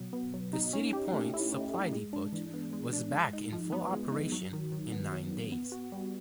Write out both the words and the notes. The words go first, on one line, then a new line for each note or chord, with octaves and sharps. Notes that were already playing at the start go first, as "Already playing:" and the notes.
The City Point supply depot was back in full operation in nine days.
Already playing: B2 F#3
B3
F#3
D#4
C#4
G4
A3
E4
C#4
G4
G#3
D4
E3
B3
G#3
D4
G#3
D#4
F3
B3
G#3
D#4
F#3
D#3
D#3
B3
F#3
D#3
B3
F#4
G3